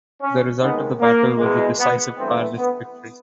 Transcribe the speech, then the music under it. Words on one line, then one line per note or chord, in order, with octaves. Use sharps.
The result of the battle was a decisive Carlist victory.
C#4
D#2 D#3 G#3 B3
A#3
E2 B2 G#3
B3
G2 E3 A3 C4
B3